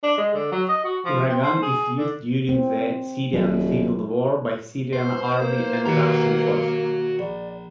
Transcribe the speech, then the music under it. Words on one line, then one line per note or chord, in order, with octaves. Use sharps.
Uragan is used during the Syrian Civil War by Syrian Army and Russian forces.
D4
G#3
D3
F#3
D#5
F#4
F3
C4
C5
G#4
D3
C4
D#1 F#3
B4 C5
A#3
D#2 B2 D#3 F#4 A#5
A#1 D5